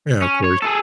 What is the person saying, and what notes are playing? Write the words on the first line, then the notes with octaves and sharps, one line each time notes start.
Yeah, of course.
C#4
C#5
G#4 A4